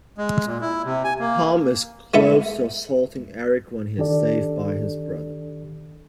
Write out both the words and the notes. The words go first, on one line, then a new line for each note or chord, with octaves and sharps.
Tomme is close to assaulting Erik when he is saved by his brother.
G#3
A#2
E4
C3
G#5
A#3
G#3 B3 E4 A4 E5
D#3 D4 G4 A4 D5